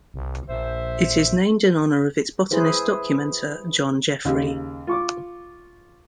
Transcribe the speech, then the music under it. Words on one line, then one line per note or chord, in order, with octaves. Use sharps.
It is named in honor of its botanist documenter John Jeffrey.
C2
A#1 C5 E5
E4 G#4 B4 C5
D#2 C#3
F4 C#6 D6